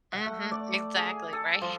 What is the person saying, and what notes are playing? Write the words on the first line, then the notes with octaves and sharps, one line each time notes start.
Mhm, exactly, right?
F#5
A3
D5
G#4
A4
F3